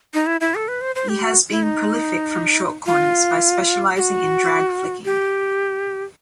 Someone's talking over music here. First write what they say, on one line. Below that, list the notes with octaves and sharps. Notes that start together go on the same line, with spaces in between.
He has been prolific from shortcorners by specialising in drag flicking.
D#4
E4
E4
A4
B4
C5
C5
G4
F#4
E4
D#4
F4
G4
F#4
G4